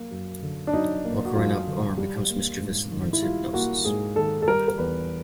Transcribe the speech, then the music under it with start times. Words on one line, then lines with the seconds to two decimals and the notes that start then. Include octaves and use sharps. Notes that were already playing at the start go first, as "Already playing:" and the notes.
While growing up, Omar becomes mischievous and learns hypnosis.
Already playing: F#3 A#3
0.11 F#2
0.43 D3
0.67 D4
0.73 F#3 D#4
1.05 A#3
1.25 F#4
1.35 F#2 F4
1.67 D3
1.98 G3
2.30 A#3
2.61 G#2
2.91 D#3
3.13 E4
3.23 G3 F4
3.53 A#3 F#4
3.85 G#2 G#4
4.16 D#3 A4
4.42 A4
4.48 G3 A#4
4.68 A#4
4.78 E2 B4